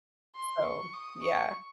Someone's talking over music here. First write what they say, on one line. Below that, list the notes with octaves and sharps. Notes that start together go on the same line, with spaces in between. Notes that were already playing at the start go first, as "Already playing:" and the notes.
“So, yeah,
C6
C#6
D#6
C#6